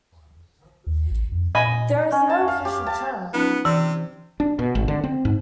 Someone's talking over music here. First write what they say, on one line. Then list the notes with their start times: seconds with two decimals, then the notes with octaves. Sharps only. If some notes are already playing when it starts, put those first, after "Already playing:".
There is no "official" term.
0.87 D#2
1.10 A1
1.32 F2
1.55 A#2 D#5 G#5 B5
2.12 C#4
2.29 A5
2.48 F5
2.65 G4
2.87 A5
3.34 B3 C#4 D#4 F4
3.65 C3 E3
4.40 D4
4.59 B2
4.75 G#1
4.88 D3
5.04 C4
5.25 G#2